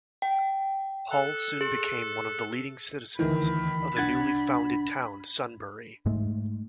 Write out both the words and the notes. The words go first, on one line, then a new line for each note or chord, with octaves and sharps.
Hall soon became one of the leading citizens of the newly founded town, Sunbury.
G5
A4 F#6
G#4
D2 D#3 E3 B5
C2 D4 F#5 G#6 A6
G#2 G#3 A3